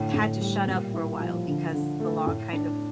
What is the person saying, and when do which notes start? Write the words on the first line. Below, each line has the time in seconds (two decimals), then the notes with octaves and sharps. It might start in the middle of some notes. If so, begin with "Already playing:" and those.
had to shut up for a while, because the law kind of
Already playing: A2 D3
0.14 A2
0.41 G3
0.67 A#2
0.94 E4
1.20 F3
1.47 D3
1.73 D3
2.00 A3
2.27 A2
2.53 D4